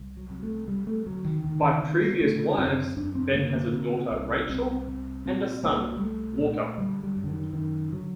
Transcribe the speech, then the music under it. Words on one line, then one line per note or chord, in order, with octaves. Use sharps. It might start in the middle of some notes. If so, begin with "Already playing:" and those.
By previous wives, Ben has a daughter, Rachel, and a son, Walker.
Already playing: C2
F#3
C3
A3
C3 G3
A3
D2 F#3
D#3
D2 D#3
D#3
C3 D#3
G3
D3 A3
D4
F#2 C4
F#2 D4
C4
D3 A#3
A#3
C3
C2
C2 C4
C3
A#2 C4
C2 A#3
G3
C2 A3
A#2
D3 G3
G3
F#2
D3
D#3
F#2 D#3
D3 F#3